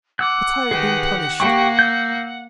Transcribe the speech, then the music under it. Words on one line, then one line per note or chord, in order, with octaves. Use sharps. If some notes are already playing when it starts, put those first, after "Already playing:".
"But I have been punished."
F#5 D6 E6 F#6
D#3 G4 G#4 B4
A#3 G4 G5 C#6
E6 G6